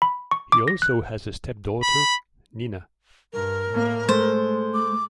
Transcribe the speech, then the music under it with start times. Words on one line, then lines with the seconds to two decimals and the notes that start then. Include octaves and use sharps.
He also has a stepdaughter, Nina.
0.02 B5
0.31 C#6
0.52 D6
0.68 A#6
0.82 F#6
1.82 B5
3.33 G2 A#4
3.70 A2 A#3
4.09 G#3 A3 C5
4.74 D6